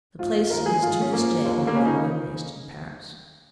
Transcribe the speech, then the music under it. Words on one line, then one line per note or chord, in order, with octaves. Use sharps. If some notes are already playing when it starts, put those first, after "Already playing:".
The place is to this day one of the loneliest in Paris.
G#2 F3 F4
D#2 D#3 A#4
G#4
G#2 D#3 F4
C#4
G#2 F3 A#3
D#2 C#3 F3
A#3
C#2 C#3 F3 C#4
D#4